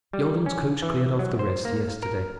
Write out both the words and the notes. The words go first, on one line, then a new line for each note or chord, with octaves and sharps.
Yalden's coach cleared off the rest yesterday.
G3
C#4
E3
F#3
C5
A#3
A#4